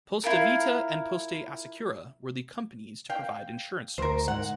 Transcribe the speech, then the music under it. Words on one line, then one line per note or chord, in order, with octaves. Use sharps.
Poste Vita and Poste Assicura were the companies to provide insurance services.
E4 F4 A#4
F5 G5
D2 A#4 C5
G#2 F#5